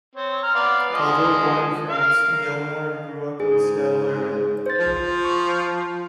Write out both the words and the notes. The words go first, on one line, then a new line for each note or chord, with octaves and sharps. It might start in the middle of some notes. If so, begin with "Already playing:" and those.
Although born in France, Gilmore grew up in the Seattle area.
C4 C#5
A#5 F6
B3 D5 F5
F3 G#3 D#5
A#4 F5
G#2 G#4
C5 A6
F3
C#6